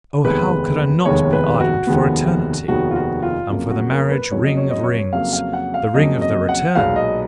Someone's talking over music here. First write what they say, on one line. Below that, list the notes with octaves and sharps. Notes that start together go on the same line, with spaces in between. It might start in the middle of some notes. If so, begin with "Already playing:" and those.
Oh, how could I not be ardent for Eternity, and for the marriage-ring of rings--the ring of the return?
F1 D#2 D#3 G#3 B3 B4
F1 D#2 D#3 G#3 B3 C#5
B4
F#4
F1 D#2 D#3 G#3 B3
F1 D#2 D#3 G#3 B3 F#4
F4
F#4
F4
F2 C#3 F#3 A#3 F4
F#4
A#4
B4
F2 C#3 F#3 A#3 C#5
D#5
C#5
D#5
C#5
F2 C#3 F#3 A#3 F5
F5
F#5
F5
F2 C#3 F#3 A#3 D#5
D#5
F#5
B1 A#2 G#3 B3 F5
D#5